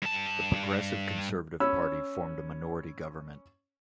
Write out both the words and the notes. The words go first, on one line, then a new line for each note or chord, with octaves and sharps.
The Progressive Conservative Party formed a minority government.
G2 A5
C#4 B5 E6